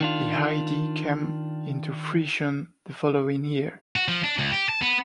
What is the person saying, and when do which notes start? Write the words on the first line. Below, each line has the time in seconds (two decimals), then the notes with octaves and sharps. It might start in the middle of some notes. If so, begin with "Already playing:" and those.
The idea came into fruition the following year.
0.01 D#3 D4 F4
3.96 F#4
4.08 F3
4.24 D4
4.39 C#2
4.52 G4
4.69 A5
4.82 B3